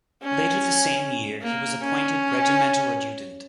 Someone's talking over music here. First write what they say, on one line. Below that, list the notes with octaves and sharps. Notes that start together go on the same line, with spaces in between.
Later the same year he was appointed regimental adjutant.
C#4
A#3
C#4